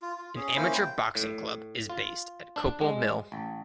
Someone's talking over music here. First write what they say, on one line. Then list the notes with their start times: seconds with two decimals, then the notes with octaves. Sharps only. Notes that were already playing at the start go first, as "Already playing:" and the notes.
An amateur boxing club is based at Coppull Mill.
0.02 F4
0.19 F4
0.36 C#4 G#4
0.56 A#3 C#4 E4 C5
0.75 G5
1.15 A2
1.90 F4
2.56 D4
2.81 G#3
3.32 A1